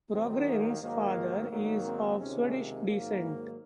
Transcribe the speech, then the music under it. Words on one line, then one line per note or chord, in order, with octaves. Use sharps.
Brogren's father is of Swedish descent.
D#2 D#3 F#3 C4
A#3
G#2 D#3 F#3 A#3
G#2 D#3 F#3 A#3
C4
C#2 C3 D#3 G#3 C#4
A#3
G#2 D#3 F#3 A#3